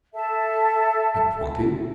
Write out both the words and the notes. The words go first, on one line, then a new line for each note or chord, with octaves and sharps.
"At twenty?"
A4 E5 A5